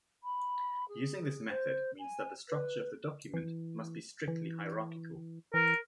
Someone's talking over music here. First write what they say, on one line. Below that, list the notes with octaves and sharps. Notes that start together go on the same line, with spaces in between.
Using this method means that the structure of the document must be strictly hierarchical.
B5
G#4
C5
G#5
B4
E3
E3
E3 A#4